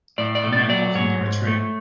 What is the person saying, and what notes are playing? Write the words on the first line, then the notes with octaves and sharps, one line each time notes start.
A man walking near a tree.
A2 D5
D5
A3
D5
F#3 D5
G#2 C#5
G#2
A3